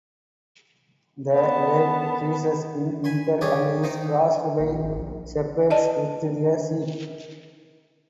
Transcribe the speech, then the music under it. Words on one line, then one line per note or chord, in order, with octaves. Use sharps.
The lake freezes in winter and is crossed by shepherds with their sheep.
B3 A5
G#5 B5 C6
G3 C#4 D4 G4 G#4 F5
D#3 D#4 C5
A#1
G#1
A#1
D5 D#5 A5